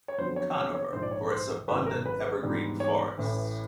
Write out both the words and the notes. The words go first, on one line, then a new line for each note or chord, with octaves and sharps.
Conover for its abundant evergreen forests.
C#5
F2 D3 F#3 B3 C5
C#5
C#5
C#5
A#1 G#2 F3 C5
D5
C#5
C5
G#1 F#2 C#3 F#3 B4
A#4
B4
G#2 E3 G3 B3 D4
C#5
A1 A2 E3